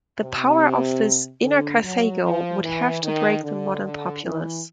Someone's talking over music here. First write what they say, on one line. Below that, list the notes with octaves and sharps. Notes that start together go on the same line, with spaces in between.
The power of this "inner Carthago" would have to break the modern populous.
C3
D3
F#3
F3
E3
D#3
D3
D3
E3